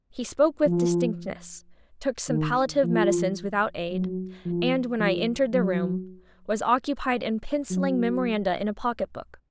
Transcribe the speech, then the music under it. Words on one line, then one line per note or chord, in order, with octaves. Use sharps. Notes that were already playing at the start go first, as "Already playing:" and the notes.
He spoke with distinctness--took some palliative medicines without aid--and, when I entered the room, was occupied in penciling memoranda in a pocket-book.
F3
D#3
F3
F#3
F3
F3
F#3
F#3